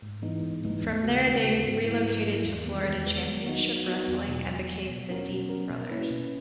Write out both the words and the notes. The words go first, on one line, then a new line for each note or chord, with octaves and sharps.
From there they relocated to Florida Championship Wrestling and became The Deaton Brothers.
G#2
E3 G#3 B3 D#4
G#2
E3 G#3 B3 D#4
D#2
C#3 G#3 B3 F#4
D#2
C#3 G#3 B3 F#4
G#2
F#3 A#3 E4
G#2
F#3 A#3 E4
E2
D#3 G#3 B3
E2
D#3 G#3 B3
F#3
B3 D#4 F#4
F#3
B3 D#4 F#4
E2
B2 F#3
E2
B2 F#3
B2
F#3 C#4 F#4 A#4
B2
F#3 C#4 F#4 A#4
B2
A#3 C#4 E4 B4
B2